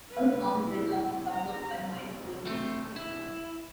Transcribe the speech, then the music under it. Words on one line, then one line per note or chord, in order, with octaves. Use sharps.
All songs written and composed by Mike Oldfield.
B4
E4
A#5
A3 C4
E4